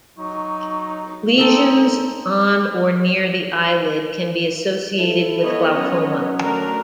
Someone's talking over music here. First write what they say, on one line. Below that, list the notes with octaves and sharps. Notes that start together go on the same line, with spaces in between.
Lesions on or near the eyelid can be associated with glaucoma.
F#3 D#4 C#6
C4 D#4 A4
E4 A4
B3 C#5 D#5
F#3 C#4
A3 D4 A#4